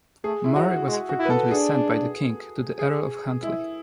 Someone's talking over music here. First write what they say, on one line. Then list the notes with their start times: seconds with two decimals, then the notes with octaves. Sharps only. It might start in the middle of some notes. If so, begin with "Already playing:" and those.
Murray was frequently sent by the king to the Earl of Huntly.
0.24 A3 G#4
0.45 E4
0.56 F#3 F#4
0.87 G#3 F#4
1.09 F#4
1.19 E4
1.25 B4
1.30 A4
1.51 D4 G#4
2.79 G#4
3.43 G#3 E4